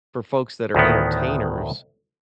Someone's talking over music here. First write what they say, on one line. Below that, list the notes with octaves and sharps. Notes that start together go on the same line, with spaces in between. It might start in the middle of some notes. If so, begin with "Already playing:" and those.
for folks that are entertainers,
D2 A2 D#3 B3